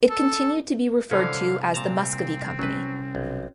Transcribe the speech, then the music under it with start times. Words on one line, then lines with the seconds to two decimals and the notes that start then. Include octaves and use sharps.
It continued to be referred to as the Muscovy Company.
0.09 A4
1.11 C2 D3 E3 C#4 A4 C5 D5 F5
1.74 A#2 C4 A5 A#5
2.59 F#3 C#4 B4
3.15 B1